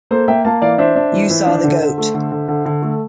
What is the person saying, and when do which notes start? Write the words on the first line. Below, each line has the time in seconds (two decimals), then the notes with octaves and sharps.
You saw the goat.
0.11 A#3 A4 C5
0.28 A#3 E5 G5
0.45 A#3 F5 A5
0.62 E3 D5 F5
0.78 D4 C5 E5
0.96 D4
1.13 E3
1.30 E3
1.46 D4
1.64 D3
1.80 D3
1.98 A3
2.14 D3
2.32 D3
2.48 D3
2.66 D3
2.82 A3